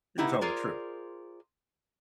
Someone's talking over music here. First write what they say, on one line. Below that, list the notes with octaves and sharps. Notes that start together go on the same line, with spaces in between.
you're telling the truth.
B3 D#4 E4 G4
F4 G#4 A#4 C5 D5